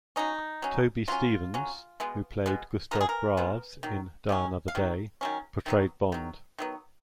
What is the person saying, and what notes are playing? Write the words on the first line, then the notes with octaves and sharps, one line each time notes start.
Toby Stephens, who played Gustav Graves in "Die Another Day", portrayed Bond.
F#3 C#4 D#4
F#3 C#4
F#3 C#4 F4
F#3 C#4
B2 G#3 B3
B2 G#3 B3
B2 G#3 B3 A#4
G#4
A#4
B2 G#3 B3
D#3 F#3
D#3 F#3 C#4
F5
D#3 F#3
D#3 F#3 C#4
D#3 F#3 B3
D#3 F#3
D#3 F#3 B3